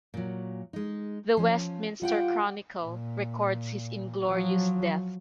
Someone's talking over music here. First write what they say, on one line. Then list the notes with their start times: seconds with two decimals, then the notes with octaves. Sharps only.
The Westminster Chronicle records his inglorious death.
0.14 A#2 F#3
0.73 G#3 D#4
1.37 F3 C#4
2.02 G3 F4 F#5 G5
2.83 A#2
4.27 F3 F#3